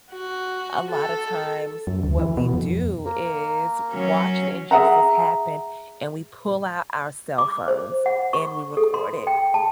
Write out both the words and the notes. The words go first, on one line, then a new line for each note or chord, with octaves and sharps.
a lotta times what we do is watch the injustice happen, and we pull out our cell phones, and we record it,
F#4
A4
F#2
D2
E3
B2
F2
A#3
F#3 C#4
G#4 E5 F#5 A#5
D6
C5
F#5
C#6
A4
C6
G5
A5